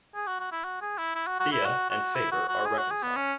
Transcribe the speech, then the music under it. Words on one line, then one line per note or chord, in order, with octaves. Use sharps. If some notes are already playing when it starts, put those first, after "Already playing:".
Thea and Faber are reconciled.
G#4
F#4
F#4
E4
F#4
G#4
E4
E4
F#4
F#4
E4
F#4
F#4
E4
F#4
F#4
G#4
F#4
G#4
B3
C#4